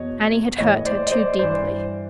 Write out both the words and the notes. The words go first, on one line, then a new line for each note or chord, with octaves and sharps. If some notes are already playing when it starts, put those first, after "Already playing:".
Annie had hurt her too deeply.
Already playing: E2 B2 C#5 D#5
A2 E3 C#5 D#5
C5 D5
D#5
C5 D5
G2 E3 C5 D5